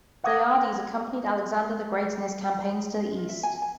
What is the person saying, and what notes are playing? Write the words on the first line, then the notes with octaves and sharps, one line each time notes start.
Diades accompanied Alexander the Great in his campaigns to the East.
F5 F#5 D6 D#6 G#6 A#6
F4
E5
G#5
G#5